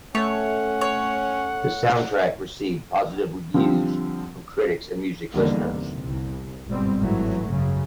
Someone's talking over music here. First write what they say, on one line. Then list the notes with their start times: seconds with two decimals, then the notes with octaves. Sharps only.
The soundtrack received positive reviews from critics and music listeners.
0.15 A3 C#4 C#5 F#5
0.81 C#5
3.54 D3 F3 G3 C4
5.35 E2 D3 D#3 G3 A#3
5.72 C3
6.04 C2
6.67 G1 G#2 B2 G3 C4
7.01 G#1 A2 E3 F#3 A3
7.50 F#2 C#3